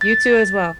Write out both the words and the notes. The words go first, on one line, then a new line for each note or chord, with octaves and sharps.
You too as well.
A6